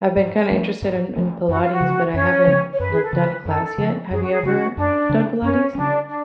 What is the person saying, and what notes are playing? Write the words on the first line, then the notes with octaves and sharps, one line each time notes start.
I've been kinda interested in in Pilates, but I haven't, like, done a class yet, have you ever done Pilates?
G#2
F3 A3 C#4
G#2
F3 A3 C#4
F#2 F#4
F4
F#4
C#3 F3
F#2 C#4 C#5
C#3 F3
C#5
F#2 B4
G#4
A4
C#3 F3 B4
F#2 A4
C#3 F3
F#2 G#4
F#4
G#4
C#3 F#3 C#4 F#4
F#2 D4
C#3 F#3 C#4
F#2 C#4
C#3 F#3 C#4 D4
D4